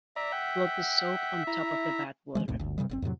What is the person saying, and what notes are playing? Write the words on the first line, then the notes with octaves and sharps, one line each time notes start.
Float the soap on top of the bath water.
D5 E5 A#5
F#5 G5
E4 A#5
C#3 E3 G#3 A3
G#1 D#2 A2 C3
G1 D2
G2 C3 G3 G#3
F#1 A2 C4
F2 A2 C3 F#3